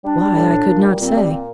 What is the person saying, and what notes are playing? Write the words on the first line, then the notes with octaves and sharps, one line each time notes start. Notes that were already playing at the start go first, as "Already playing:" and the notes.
Why, I could not say.
G3 D4
G3
A2
A#2
A#2
G3
A#2 C4
G3
A#2